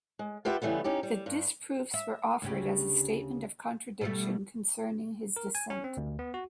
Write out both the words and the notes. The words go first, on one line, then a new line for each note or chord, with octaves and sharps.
The disproofs were offered as a statement of contradiction concerning his descent.
G#3
F4 G4 B4 E5 F#5 G5
C#3 E3 G3 A3 B3
C#4 D#4 G4
G3
G2
E5
D2 C#3 G4
B2 G3 A3
A#4
G#5
C#4
C4
D2
B3
F#4